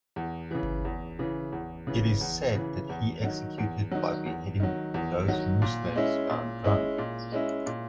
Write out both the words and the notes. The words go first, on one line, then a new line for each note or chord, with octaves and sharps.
It is said that he executed by beheading those Muslims found drunk.
E2
C#3 E3
E2
C#3 E3
E2
C#3 E3
E2
C#3 E3
E2
D#3 F#3
E2
D#3 F#3
E2
D#3 F#3
E2
D#3 F#3
A#2
G#3 C#4 E4
A#2
G#3 C#4 E4
A#2
G#3 C#4 E4
A#2